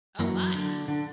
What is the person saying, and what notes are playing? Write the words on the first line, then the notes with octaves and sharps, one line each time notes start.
Oh my!
F#2 E3 F#3 A#3 E4 A#4
D3
D3